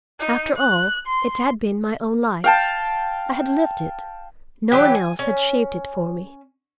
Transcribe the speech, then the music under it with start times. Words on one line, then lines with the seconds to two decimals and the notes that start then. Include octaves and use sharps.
After all, it had been my own life; I had lived it; no one else had shaped it for me.
0.20 D#4
0.58 F#6
1.07 C6
2.44 F5 G5 A5
4.72 E3 F#3 G4
4.95 G#5
5.19 C#4